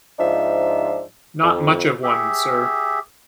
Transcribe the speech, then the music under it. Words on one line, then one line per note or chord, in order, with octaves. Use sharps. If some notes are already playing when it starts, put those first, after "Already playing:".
Not much of a one, sir.
G#2 F3 D4 D#4 F4 E5
F2
G4 G#4 E5